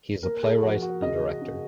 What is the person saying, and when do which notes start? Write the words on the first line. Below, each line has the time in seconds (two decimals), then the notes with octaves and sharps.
He is a playwright and director.
0.23 A#3 A#4
0.43 G#4
0.63 F3 F#4
0.82 F#4
1.02 C#3 D#5
1.42 C#3